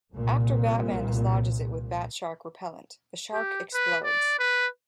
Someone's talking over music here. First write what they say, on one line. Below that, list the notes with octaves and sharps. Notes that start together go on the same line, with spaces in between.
After Batman dislodges it with bat-shark repellent, the shark explodes.
C2 A#2
G4
B4
D5
B4